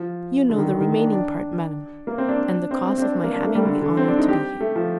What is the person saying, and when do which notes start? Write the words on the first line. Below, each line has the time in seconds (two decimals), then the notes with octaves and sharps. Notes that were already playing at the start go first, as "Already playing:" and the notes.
You know the remaining part, madam, and the cause of my having the honour to be here.
Already playing: F3
0.50 D3
0.58 D#3
0.65 D3
0.80 D#3
0.96 D4
1.13 D4
2.07 A#3
2.18 C4
2.29 D4
2.71 C4
2.87 C4
2.98 C4
3.02 D4
3.13 C4
3.24 A#3
3.34 D4
3.45 A3
3.55 G3
3.65 D3
3.81 D3
3.97 C4
4.08 D4
4.18 D#4
4.28 G4
4.61 A3
4.76 F3